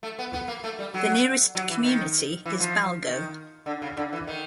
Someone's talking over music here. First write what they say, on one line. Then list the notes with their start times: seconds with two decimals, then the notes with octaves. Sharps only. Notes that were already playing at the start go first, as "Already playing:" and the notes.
The nearest community is Balgo.
0.03 A3
0.19 B3
0.33 B3
0.48 A#3
0.64 A3
0.79 G3
0.94 F#3
1.55 F#3
1.70 E3
1.84 D#3
2.46 E3
2.60 F3
3.06 D#3
3.66 D3
3.82 C#3
3.97 D3
4.13 E3
4.27 D#3